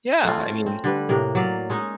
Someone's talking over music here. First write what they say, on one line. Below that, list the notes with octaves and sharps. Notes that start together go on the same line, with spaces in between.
Yeah, I mean
A3 C4 C#4 F4
C4
D3 G3 B4
A2 C3 A#3
F#3 D5 F5
G#3 C#4 D#4